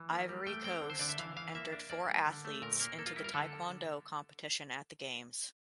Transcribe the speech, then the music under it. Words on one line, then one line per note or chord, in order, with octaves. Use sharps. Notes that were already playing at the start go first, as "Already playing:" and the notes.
Ivory Coast entered four athletes into the taekwondo competition at the Games.
Already playing: E3
A#3
G3
A3 G5
C4 G5
D3
C5
D3 D5
E5
E3 F5
E3 F5
A#3 E5
D4
A#3 D5
G3
D3
A3
A#2 A#4
A#3 A#4
A#3 A4
F4
G3 E4
A#4
D3 A4